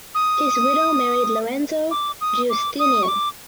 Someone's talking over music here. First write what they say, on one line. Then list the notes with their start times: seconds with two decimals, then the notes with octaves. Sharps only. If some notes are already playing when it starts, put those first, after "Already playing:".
His widow married Lorenzo Giustinian.
0.15 D#6
1.91 D6
2.21 D#6
2.50 D6
2.79 D#6
3.03 C#6
3.08 D6